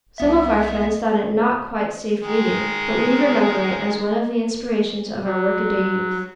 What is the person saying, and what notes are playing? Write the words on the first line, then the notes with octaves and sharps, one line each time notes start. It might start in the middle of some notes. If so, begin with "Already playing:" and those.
Some of our friends thought it not quite safe reading; but we remember it as one of the inspirations of our workaday youth.
C2 B3 E5
D#3 G#3
F#3